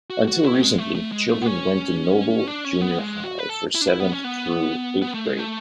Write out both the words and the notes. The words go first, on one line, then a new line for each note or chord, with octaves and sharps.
Until recently, children went to Noble Junior High for seventh through eighth grade.
F#4
F#4
E4
A3
G#3
A3
A3
G#3
A3
B3
C#4
D4
C#4
B3
G#3
F#4
B4
A4
E4
D4
E4
B3
C#4
B3
B3
A3
G#3
A3